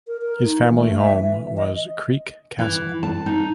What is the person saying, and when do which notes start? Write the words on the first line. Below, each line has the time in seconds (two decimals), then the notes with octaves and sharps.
His family home was Creich Castle.
0.07 A#4
0.22 A#4
0.44 D#4
0.59 E3
0.75 A3
0.98 E5
1.16 E3
1.57 D#5
2.59 E3
3.03 A5
3.26 D#4